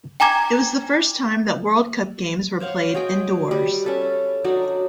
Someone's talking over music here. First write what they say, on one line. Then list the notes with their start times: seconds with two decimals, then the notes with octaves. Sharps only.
It was the first time that World Cup games were played indoors.
0.20 G5 G#5 A#5 D6 G#6
2.60 C5 C#5 F5 F#5
2.94 F#4 G#4 D#5 G5
3.51 G3
3.85 C#4 A4 B4
4.44 F#3 D4 D#4 F#4